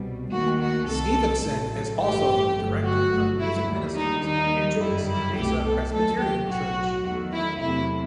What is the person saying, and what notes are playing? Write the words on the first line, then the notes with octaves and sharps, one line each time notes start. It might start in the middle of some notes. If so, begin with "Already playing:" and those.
Stevenson is also the director of music ministries at Angeles Mesa Presbyterian Church.
Already playing: C2 B2 G3
D#2 D#3 A3 F#4
F#4
C2 C3 D#3 A4
A1 A2 F#3
A4
A1 G2 E3 A3 G4
G1 G2 F#3 A3
F#4
G1 G2 F#3 A3
E4
D#2 D#3 G3
D#4
D#2 D#3 G3 D#4
G1 F#2 D#3 G3 E4
E4
C2 B2 A3 G4
A4
D#2 D#3 F#3 A3 A4
G4
B1 A2 F#3 F#4
E2 D#3 F#3 A3
E4
E2 C3 F#3 A3 E4